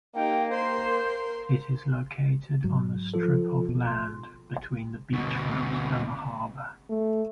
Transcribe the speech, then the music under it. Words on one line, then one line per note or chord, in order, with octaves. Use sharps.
It is located on the strip of land between the beachfront and the harbour.
A#3 D#4 G4 G5
A#4 C5 C6
G#2 F#3
F3 F4 A4
B2
C6
D2 B2
A3